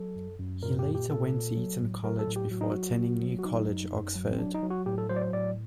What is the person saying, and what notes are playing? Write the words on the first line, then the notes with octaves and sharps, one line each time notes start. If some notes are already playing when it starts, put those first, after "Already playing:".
He later went to Eton College before attending New College, Oxford.
Already playing: F#3 A4
F#2
F#2
A#2 A#4
G4
A#2
G4
A#2 A4
A#2
F#3
A2
F#3 A#4
A4
A2
G4
F#3 F#4
D#4
F#3 F#4
F#3
F#3
F#4
F#3 D#4
F#2
F#2
F#3
C4
F#3 D4
D#4
F#3
F#4
A2 G4
A4
F#3 C5
D5
C5
A2 D5